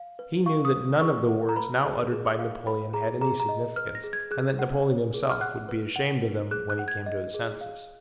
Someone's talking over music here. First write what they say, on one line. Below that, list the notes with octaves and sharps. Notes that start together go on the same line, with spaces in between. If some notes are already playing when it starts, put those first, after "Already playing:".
He knew that none of the words now uttered by Napoleon had any significance, and that Napoleon himself would be ashamed of them when he came to his senses.
Already playing: F5
B4
F5 C#6
D#6
B4
G#4 C#6
F#5
A#5
B4 B5
G#4
G#4
F5
B4 B5
G#4 A#5
G#4 A#5
A#5
D#5
B4 F6
A#6
G#4
G#6
G#4 F#6
F#5
C#5
G#4
F6
F#5 F#6
B4
F#5
B4
G#4 F#6
F#6
F#5
G#6
D#5
G#4
F5